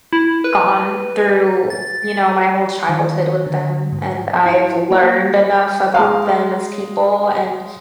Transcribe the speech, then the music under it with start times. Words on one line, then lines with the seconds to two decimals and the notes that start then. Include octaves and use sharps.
gone through, you know, my whole childhood with them, and I've learned enough about them, as people, and,
0.13 E4
0.44 B4
1.70 A6
2.89 D#3
3.46 D3
3.92 G#2
4.46 E4
4.91 A#3
5.94 G#3 F5